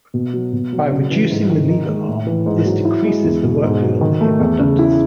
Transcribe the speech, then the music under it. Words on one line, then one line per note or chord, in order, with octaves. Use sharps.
By reducing the lever arm, this decreases the work load on the hip abductors.
B2
F#3
B2
F#3
C#3
E3
G#2
D#3
D#4
G#3
A2
E3
G#2
F#3
E4
G#3
E2
B2
G#2
F#3
D#3
A3
E2
C#3
E4